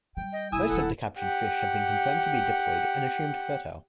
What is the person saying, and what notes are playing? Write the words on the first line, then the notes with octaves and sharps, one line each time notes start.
Most of the captured fish have been confirmed to be diploid and assumed fertile.
F#3 G3 G5
D#5
E1 B1 E4 G#5 D#6 E6
D#1 D#3 A4 F#5 A5
G4 F#5